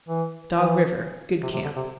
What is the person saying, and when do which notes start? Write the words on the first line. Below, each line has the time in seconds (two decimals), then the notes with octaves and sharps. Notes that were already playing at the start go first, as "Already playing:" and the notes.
Dog River.--Good camp.
0.09 E3
0.53 E3
1.43 C3
1.54 C3
1.64 D3
1.76 C3